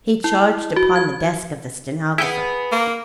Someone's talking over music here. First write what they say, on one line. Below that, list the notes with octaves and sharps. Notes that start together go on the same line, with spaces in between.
He charged upon the desk of the stenographer.
E4
F#4
G#6
B3 E4 G#4 G5
A#3